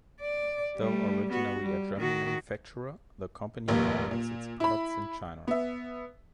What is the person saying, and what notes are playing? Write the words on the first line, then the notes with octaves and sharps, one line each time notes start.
Though originally a German manufacturer, the company now makes its products in China.
D5
G3 A3
B3 F#4
G3
D#3 F#4
F1 A#1 D#2 A#3
A#2
E4 B5
B3 E5